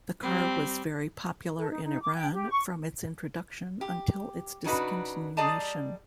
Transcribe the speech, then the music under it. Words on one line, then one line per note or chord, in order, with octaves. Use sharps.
The car was very popular in Iran from its introduction until its discontinuation.
G3 C4
A4
D#4
D#4
D6
G5
G4
C#6
G4
C#3 D4 D#4 F#4 B4
G3 G#4 D5 D#5 A5 A#5